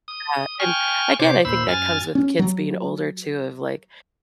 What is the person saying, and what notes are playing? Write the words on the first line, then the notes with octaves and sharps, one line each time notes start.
Yeah, and, again, I think that comes with kids being older, too, of, like,
D#6
G5 G#5 C#6 F6
C3 C5 C#5 D6
D#2 A#2 C5 B5 E6
F#2 G#5 F6 A6
C#4
F#3